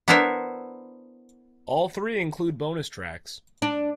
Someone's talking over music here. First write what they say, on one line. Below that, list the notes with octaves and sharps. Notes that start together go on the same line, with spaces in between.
All three include bonus tracks.
B3 D4 E4 A#4 C5 E5
D4